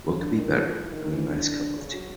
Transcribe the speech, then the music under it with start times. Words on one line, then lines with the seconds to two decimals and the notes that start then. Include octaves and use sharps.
What could be better than a nice cup of tea?
0.09 C#3
0.19 D3
0.34 D#3
0.51 E3
0.66 F3
0.83 E3
0.93 D#3
1.04 D#3
1.14 E3
1.31 D3
1.78 C#3
1.94 F#3